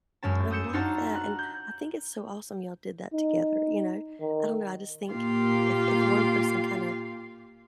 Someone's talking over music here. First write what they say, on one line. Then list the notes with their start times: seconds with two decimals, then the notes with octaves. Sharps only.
I love that, and I think it's so awesome y'all did that together, you know? I don't know, I just think if if one person kinda
0.23 F#2 G#3 C#4 A5
0.51 D#6 E6 G6 C#7 E7
0.73 D4 D#4 F4 F#4 A5 A#5
1.16 F#6
1.39 G6
3.13 D#4
4.20 D#3
5.11 A#2 A#3 F4 G4 F5